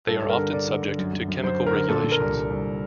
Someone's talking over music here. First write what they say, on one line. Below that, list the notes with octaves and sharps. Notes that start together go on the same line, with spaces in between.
They are often subject to chemical regulations.
G2 A4
G2
A#4
D3
G2 D5
D3
D3
F#2
F#2
F#2
F#2 C5
D3
A#4
D3
A#2 A4
A#2
A#4
C2
C2
C2